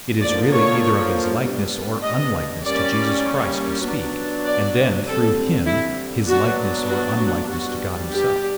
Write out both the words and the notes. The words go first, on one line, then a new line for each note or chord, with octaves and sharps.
It is really either of his likeness or unlikeness to Jesus Christ we speak, and then, through Him, his likeness or unlikeness to God Himself.
D3 F3 A#3 D5
C#5
G3 B3 D4
D#5
G3 A#3 C#4 D5
F#3 B3 D4
D5
D3 G3 C4 A4
E4
F#3 B3 D4 F#4
F#4
F#4
G3 B3 D4 F#4
G4